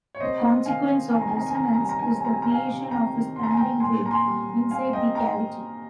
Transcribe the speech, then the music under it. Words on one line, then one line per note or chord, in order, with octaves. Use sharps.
A consequence of resonance is the creation of a standing wave inside the cavity.
C#5
C3 C5 D#5
C4
D#3 F5 G#5
C3
D#3 G#5
A#5
G#5
C3 A#5
G#5
D#3 A#5
G#5
A#5
G3 G#5
A#5
C4 G#5
A#5
G#5
C4 A#5
G#5
C3 A#5
F5 G#5
C3
C3 G5 A#5
D#3
C3 C6
A#5
G#5
C4 G5 A#5
A#2 G#5 C6
A#2 A#5
G#5 C6
G3
G3
C4 F5 G#5
C4 D#5 G5
C4 G5 A#5